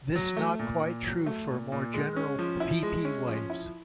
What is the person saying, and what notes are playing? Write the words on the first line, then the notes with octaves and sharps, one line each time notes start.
This not quite true for more general pp-waves.
F#3
A3
A#2
A#2
F#3
A3
A#2
A#2
G#3
C#4
F3
E4
G#3
C#4
F3
E4